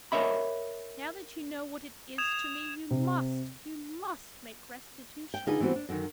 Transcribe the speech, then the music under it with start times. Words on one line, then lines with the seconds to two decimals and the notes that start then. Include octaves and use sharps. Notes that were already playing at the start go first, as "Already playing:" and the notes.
Now that you know what it is to me, you must--you must make restitution.
0.12 A#4 C#5 D#5 E5 B5
2.18 D#6 G#6 E7 F7
2.90 C3
5.34 G5
5.47 D3 D#4 F4 G#4 B4 D#5
5.60 E3 G3 B3 C4 F#4 B4
5.76 D4
5.89 F#2 D3 D#3